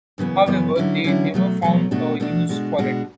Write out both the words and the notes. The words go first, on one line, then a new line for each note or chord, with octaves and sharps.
However, they never found a use for it.
F#2 C#3 E3 B3
F#2 C#3 E3 B3
D3 F#3 C#4 E4
D3 F#3 C#4 E4
B2 F#3 A3
B2 F#3 A3
B2 A3 D4 F#4
B2 A3 D4 F#4
B2 G#3 D4 F#4
B2 G#3 D4 F#4